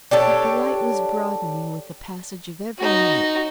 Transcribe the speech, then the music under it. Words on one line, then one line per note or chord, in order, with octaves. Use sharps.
But the light was broadening with the passage of every minute.
D4 G4 A4 C#5
D#4 F#4